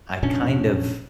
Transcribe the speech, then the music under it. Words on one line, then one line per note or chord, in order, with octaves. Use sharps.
I kind of
F1 A#2 C#4 D4